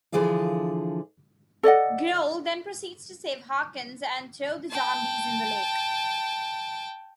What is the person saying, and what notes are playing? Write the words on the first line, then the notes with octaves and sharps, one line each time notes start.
Grohl then proceeds to save Hawkins and throw the zombies in the lake.
D3 E3 F3 G#4 D5 F5
A4 D5 D#5 F#5
G5 A5